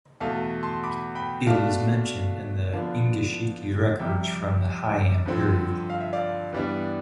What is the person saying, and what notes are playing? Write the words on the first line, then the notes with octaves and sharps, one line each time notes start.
It is mentioned in the "Engishiki" records from the Heian period.
E2 B2 A3 F5 A5
A5 C6
B5 D6
G5 B5
B2 A3 D4 F5 A5
D3 F3 B3 D4 F5 A5
F2 C3 G3 E5 G5
G2 D3 F3 C4
F5
E5
D5 F5
G2 E3 G3 B3 D4